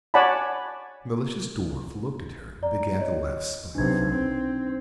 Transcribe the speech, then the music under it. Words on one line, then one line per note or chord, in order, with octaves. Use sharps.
The malicious Dwarf looked at her and began to laugh spitefully.
C#5 D5 F#5 G#5 A5 B5
D5 A#5
C#5 D#5
B1 C3 D4 D#4 G#6
C4